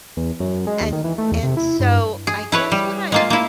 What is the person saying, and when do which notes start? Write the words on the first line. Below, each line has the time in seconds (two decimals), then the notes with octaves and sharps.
And and so I guess what I'm
0.17 E2
0.40 F#2
0.67 G#3
0.81 D#2
0.93 D#3
1.04 E3
1.18 A3
1.32 E2
1.43 C3
1.57 E4
1.80 G2
2.27 G#4
2.52 E4 B4 C#5
2.72 G3
3.12 G#3 A#3 F4
3.30 A#3 E4